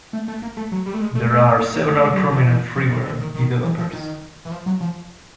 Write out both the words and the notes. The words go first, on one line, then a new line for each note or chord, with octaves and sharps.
There are several prominent freeware developers.
A3
A3
A#3
A3
F#3
G3
A3
G#3
A3
A3
A#3
A#3
A3
G#3
G3
F#3
F3
E3
F3
D#3
D3
D#3
D#3
E3
F3
D#3
E3
F3
F#3
F3